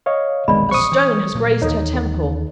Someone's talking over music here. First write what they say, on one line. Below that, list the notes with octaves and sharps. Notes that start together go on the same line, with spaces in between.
A stone has grazed her temple.
C#5 D#5 F5
E1 A#1 D#3 G#3 B3 C4 D5 B5
C5 C#6 D#6
E3 D4
A#2 F#3 A3
D#2 E3 D#4 A4 C#5